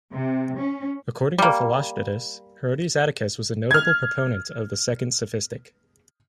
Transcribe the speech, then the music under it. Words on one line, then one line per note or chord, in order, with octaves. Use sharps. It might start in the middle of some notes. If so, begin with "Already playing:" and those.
According to Philostratus, Herodes Atticus was a notable proponent of the Second Sophistic.
C3
C#4
G3 A#3
F6 G#6